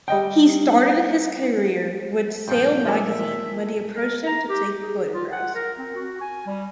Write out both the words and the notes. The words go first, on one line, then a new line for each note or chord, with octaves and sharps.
He started his career with "Sail Magazine" when they approached him to take photographs.
G3 D#5 G5
G2 A#2 F3 G5
F3 G3 A#4 D#5 E5 A5
A#4
A#5
G4
G#4
F4
F#5
A#4
C4
F#4
G#5
G3